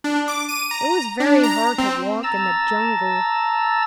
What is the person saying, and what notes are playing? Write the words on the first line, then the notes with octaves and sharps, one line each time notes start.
It was very hard to walk in the jungle.
D4
D6
D#7
A#5
D4
A#5
C4
A5 A#5 E6 A6